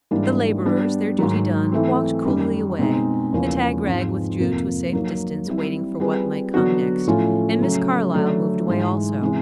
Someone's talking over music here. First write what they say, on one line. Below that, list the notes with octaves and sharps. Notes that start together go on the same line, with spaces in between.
The laborers, their duty done, walked coolly away; the tagrag withdrew to a safe distance, waiting for what might come next; and Miss Carlyle moved away also.
G#2 E3 G3 A#3 D4
G3 B3 D4
G#2 D#3 F#3
E3 A3 C4
F#2 D#3 G3
B2 G#3 C4 D#4 G#4
E2 C#3 F3 A#3 C#4
G#2 F3 G#3 C4
F2 C3 F3 A#3
F#3 A#3 D#4
G3 C4 E4
G3 C4 F4 G#4 B4
D3 F#3 B3 D4 F#4
A2 F3 A3 C#4 F4
C#3 F#3 A3
D3 F#3 A3 D4
G#2 E3 G#3
C3 E3 G#3 C#4